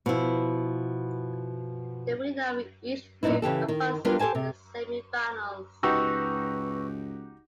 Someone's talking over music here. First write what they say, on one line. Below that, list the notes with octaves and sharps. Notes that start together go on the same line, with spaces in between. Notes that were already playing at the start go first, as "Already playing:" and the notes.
The winner of each group advances to the semi-finals.
B2 F3 E4
F#2 A#2 B3 D#4 E4
C#3 E3 G4 A4
D#3
G3 B3 D4 F4 A#4
G4 A4 C5 G#5 A5
C3
C#2 D#4 F#4 G4 B4 C#6 E6